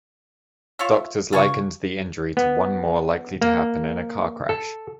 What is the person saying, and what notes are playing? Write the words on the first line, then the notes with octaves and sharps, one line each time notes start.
Doctors likened the injury to one more likely to happen in a car crash.
F4 C#5 E5
C#3 F4 G#5 C#6
B3
A#3
A4